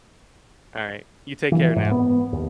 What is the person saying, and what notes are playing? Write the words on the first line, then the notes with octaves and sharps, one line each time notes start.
Alright. You take care now.
E3
G#2
B3
D#2